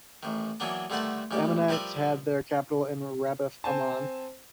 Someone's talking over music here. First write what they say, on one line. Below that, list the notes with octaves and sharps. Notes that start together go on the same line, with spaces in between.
The Ammonites had their capital in Rabbath Ammon.
A1 D#3
E3 F#3 A#3 B3 D4
G2 D3 D#3 A3 F#5 A5
A1 A#2 G3 G4
F3 G3 G4 A#4 B4 E5
C4 C5 G#5 A5